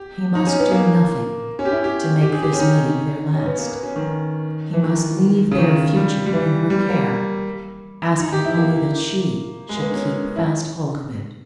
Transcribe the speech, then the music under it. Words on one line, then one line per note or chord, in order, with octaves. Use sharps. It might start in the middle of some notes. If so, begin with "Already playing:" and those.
He must do nothing to make this meeting their last; he must leave their future in her care, asking only that she should keep fast hold of it.
Already playing: G4
D#4
C#4
B3
A#3
C#4
G4
E4
G4
G4
G#4
G4
C#4
D#4
C#4
B3
A#3
B3
C#4
D#3
E3
D#3
C#3
D#3
G3
G3
E3
G3
A#3
D#4
G4
E4
A#3
G#3
A#3
B3
C#4
E4